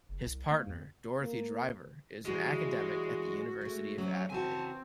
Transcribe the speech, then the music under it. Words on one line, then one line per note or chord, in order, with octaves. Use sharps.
His partner, Dorothy Driver, is an academic at the University of Adelaide.
F#1
C2
A#3
F2
A#3
E3 G3 G#3 F#4
G#3 A3
F#3 C#4
C#3 E3 C4 F#4 G#5 A5